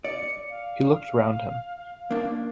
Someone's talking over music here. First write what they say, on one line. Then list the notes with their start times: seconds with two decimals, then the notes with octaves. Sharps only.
He looked round him.
0.04 D5 C#7
0.50 F5
2.11 A#3 D4